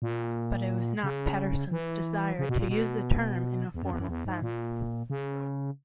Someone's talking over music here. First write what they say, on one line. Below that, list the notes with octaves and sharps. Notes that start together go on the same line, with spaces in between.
But, it was not Patterson's desire to use the term in a formal sense.
A#2
C#3
E3
C#3
B2
A#2
B2
E2
F#2
E2
F#2
E2
G#2
A#2
C#3